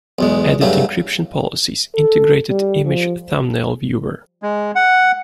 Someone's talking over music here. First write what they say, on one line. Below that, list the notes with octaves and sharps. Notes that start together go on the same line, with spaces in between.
Added encryption policies, integrated image thumbnail viewer.
B1 E2 G#3
G2 C#3 F#3 A3
A4
G3
F3
G#3
F#5